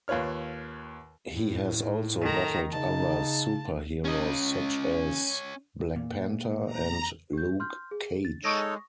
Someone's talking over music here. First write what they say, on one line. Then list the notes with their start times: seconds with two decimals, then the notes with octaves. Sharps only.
He has also battled other super-heroes such as Black Panther and Luke Cage.
0.08 D#2 F4 B4 C#5 F6
1.35 A2
2.21 D#3 A4 A#5
2.71 C#3 D#4 A5
4.05 C#4 D#5
5.96 A#2
6.66 A#5
7.33 G4 G6
7.60 C6 F6 G6
7.91 G#4
8.25 A6
8.44 G#3 D#4 A4 C#5 C#6 D#6 A#6